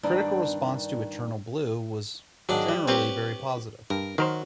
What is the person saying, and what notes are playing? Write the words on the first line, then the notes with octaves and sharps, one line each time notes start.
Critical response to "Eternal Blue" was generally very positive.
G2 D#3 D4
G#2 D#3 F#3 D4
G3
G3 C4 G4 B4 C#5
G2 A#4
D#3 F#3 A#4 C5